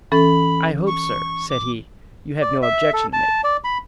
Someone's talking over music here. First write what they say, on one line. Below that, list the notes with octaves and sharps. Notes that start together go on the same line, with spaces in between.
"I hope, sir," said he, "you have no objection to make."
E3 C#4 A4 B5
C#6
D6
D5
E5
A4
A5
D5
B5